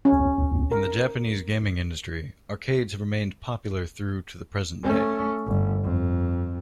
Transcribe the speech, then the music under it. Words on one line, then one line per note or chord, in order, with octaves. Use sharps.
In the Japanese gaming industry, arcades have remained popular through to the present day.
C#4
A#4
A3 C#4
G1
F2